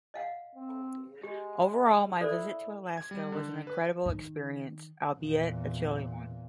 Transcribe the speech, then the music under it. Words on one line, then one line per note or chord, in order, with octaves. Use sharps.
Overall, my visit to Alaska was an incredible experience, albeit a chilly one.
D#5 F5 F#5
C4
G#3 G4
E4 A4 C5 D5
G#6
G3
D3
B4
D#3
E2 A#2